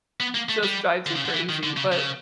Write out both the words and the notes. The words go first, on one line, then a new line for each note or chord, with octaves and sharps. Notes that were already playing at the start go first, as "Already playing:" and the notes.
just drives you crazy, but
B3
A#3
A3
G3
D3
C#3
D3
E3
D#3
D3
C#3
C#3